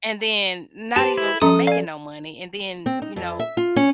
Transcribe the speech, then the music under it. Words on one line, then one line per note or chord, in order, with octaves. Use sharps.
and then not even really making no money. And then, you know,
G4 B4 C5 A5
E4
F3 C#4 A4 A#5 D#6
D5 F5 G#5
C4
D#4
F2
E5
F4
C#4